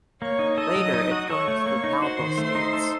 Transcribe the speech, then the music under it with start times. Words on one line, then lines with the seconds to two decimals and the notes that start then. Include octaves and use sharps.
Later it joined the Papal States.
0.22 A#3 C#5 C#6
0.39 D#4
0.57 A4 D#5 D#6
0.76 F#3
0.94 D#4
1.11 F#4
1.29 A4 C#5 C#6
1.48 A3
1.66 A#3
1.84 D#4
2.01 F#4 C5 C6
2.19 D#3
2.38 A3
2.55 D#4
2.73 A4